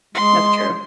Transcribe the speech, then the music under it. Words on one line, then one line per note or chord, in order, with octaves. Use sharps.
That's true.
G#3 C6